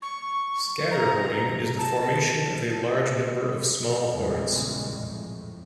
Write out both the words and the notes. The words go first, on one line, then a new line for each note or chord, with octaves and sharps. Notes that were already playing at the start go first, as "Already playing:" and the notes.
Scatter hoarding is the formation of a large number of small hoards.
C#6
A#5
A5
A#1 E2 C#3 E3 G3 G#3
F2 A2